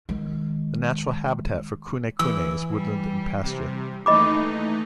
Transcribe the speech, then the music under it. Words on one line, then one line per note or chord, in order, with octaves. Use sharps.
The natural habitat for kunekune is woodland and pasture.
D#3 G#3
E3 E6
G3
C3 G3
D#2 E3 A3 D#4 D#5 B5 D6